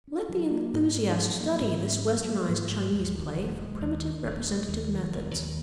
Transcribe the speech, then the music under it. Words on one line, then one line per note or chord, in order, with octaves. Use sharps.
Let the enthusiast study this westernized Chinese play for primitive representative methods.
C#4
F#3
A#3
G#2
C#4
F#3
A#3
G#2
C#4
F#3
A#3
G#2
G#3
D#2
D#3
E1
G#3
D#2
D#3
E1
G#3
D#2
D#3
E1
D#2